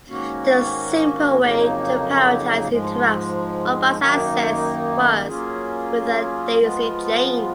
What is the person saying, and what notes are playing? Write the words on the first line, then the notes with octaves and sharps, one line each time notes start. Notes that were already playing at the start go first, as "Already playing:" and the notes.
The simple way to prioritize interrupts or bus access was with a daisy chain.
G#2 D#3 A#3 C#4 F#4
F2 C#3 F#3 A#3 D#4
G#2 F3 G#3
F#2 D#3 A#3 D#4
F#3 A#3 C#4 F4 G#4
F3 G#3 B3 F4